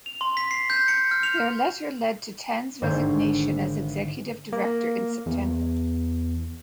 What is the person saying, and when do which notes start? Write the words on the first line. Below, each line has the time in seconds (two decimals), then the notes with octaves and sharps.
Their letter led to Tan's resignation as executive director in September.
0.06 F7
0.21 C6
0.37 B6
0.51 C7
0.70 G6
0.88 C#7
1.11 F6
1.23 F7
2.82 G#1 G#2 D3 C5 C#5 G6
4.53 A#3
5.26 E2